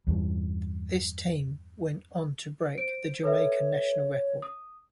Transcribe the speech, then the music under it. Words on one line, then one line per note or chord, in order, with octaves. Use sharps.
This team went on to break the Jamaican National Record.
E2 G2 E3
C5 D7
A4 B4 C#5 E5
D#6